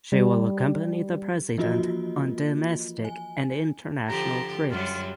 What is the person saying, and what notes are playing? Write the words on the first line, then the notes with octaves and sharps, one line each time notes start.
She will accompany the president on domestic and international trips.
G3
E3 F3 A#3 F4 F#4 D#5
G#5
D3 F3 G4 A#5
F#2 F#3 G3 F4